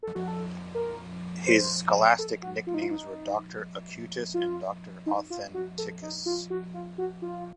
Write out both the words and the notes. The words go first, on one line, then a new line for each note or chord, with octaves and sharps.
His scholastic nicknames were "Doctor acutus" and "Doctor authenticus".
A4
F#4
A4
A#4
C5
A4
F#4
F4
D#4
F4
D#4
F4
D#4
F4
F#4
A4
D#4
F4
F#4
F4
F#4
F4